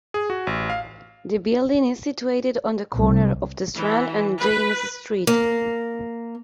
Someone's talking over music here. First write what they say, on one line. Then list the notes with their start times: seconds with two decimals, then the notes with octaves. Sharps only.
The building is situated on the corner of The Strand and James Street.
0.14 G#4
0.30 F#4
0.47 A1
0.70 F5
2.94 C2
3.77 E3
4.40 B4
5.27 A#3